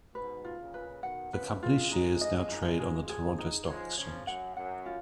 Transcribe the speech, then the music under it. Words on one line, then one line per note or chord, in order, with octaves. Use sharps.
The company's shares now trade on the Toronto Stock Exchange.
G#2 B2 B4
F4
A#2 C#3
B4
B2 D#3 F#5
C#3 F3 B4
F3 G#3 F4
D#4
D#5
D#4
G#4
G#4
D#4
F3 G#3 C#5
C#3 F3 C#5
F#2 F#5
F#2 F#5
F4